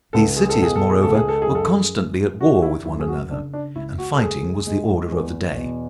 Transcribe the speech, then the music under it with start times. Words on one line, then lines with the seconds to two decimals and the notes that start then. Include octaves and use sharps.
These cities, moreover, were constantly at war with one another, and fighting was the order of the day.
0.13 C#2 A4
0.36 G#4
0.50 A4
0.59 B2 G#4
0.76 A4
0.89 G#4
1.02 C#2 A4
1.15 G#4
1.29 A4
1.42 G#4
1.49 F#2
1.55 A4
1.67 G#4
1.95 F#2
2.41 D3 F#4
2.53 F#4
2.62 E4
2.85 F#2 E4
3.00 G#4
3.08 F#4
3.31 C#3 D4
3.53 D4
3.75 C#2 E4
3.98 F#4
4.15 A4
4.21 C#2 G#4
4.67 G#3
5.12 E2
5.57 B2